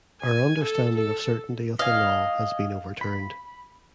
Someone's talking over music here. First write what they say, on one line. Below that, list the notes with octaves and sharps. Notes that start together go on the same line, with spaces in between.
Our understanding of certainty of the law has been overturned.
G#5
A4
A4
D#5 F5 G#5
B5